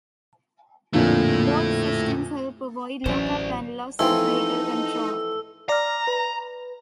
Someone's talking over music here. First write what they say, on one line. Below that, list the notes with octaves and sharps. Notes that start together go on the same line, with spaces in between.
Both systems help avoid lock-up and loss of vehicle control.
F2 A#2 D3 A3 E4
A1 D3 E3 F#3 C#4 C5 D5
E3 F3 A3 C4 D#4 E6
D5 A#5 F6
B4